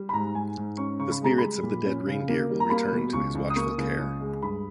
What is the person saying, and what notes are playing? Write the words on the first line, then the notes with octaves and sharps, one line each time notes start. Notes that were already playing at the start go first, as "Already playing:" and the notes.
The spirits of the dead reindeer will return to his watchful care.
Already playing: G3
B5
G#2 A#5
G#2 G#5
G#2
C#4 C#6
C#3 C#6
B5
G#3 A#5
G3 B5
A#2
C#4
C#3
A#3
G3
A#5
A#3 B5
B2
C#2 C#6
C#2
D#6
A#3 C#6
C#2
C#2
G#3
G2 B5